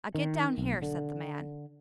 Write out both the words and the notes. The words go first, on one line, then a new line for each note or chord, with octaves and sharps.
"I get down here," said the man.
D#3
B1
D3